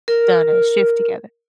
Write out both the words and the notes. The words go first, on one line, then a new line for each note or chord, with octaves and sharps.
done a shift together-
A#4